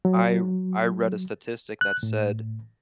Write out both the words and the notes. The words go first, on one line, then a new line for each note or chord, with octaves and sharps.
I re I read a statistic that said
F#3
F#6
A2